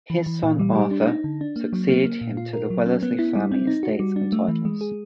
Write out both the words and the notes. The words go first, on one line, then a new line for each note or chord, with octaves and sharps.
His son, Arthur, succeeded him to the Wellesley family estates and titles.
E3
E3
A#2
G3
G4
D4
D#4
D3
D4
A#3
F#3
A#3
A#3
A#2
F4
A#4
F#3
C#4
B3
E4
G3
C4
D#4
F#4
G3
D4
A3
E3
G#3
G#4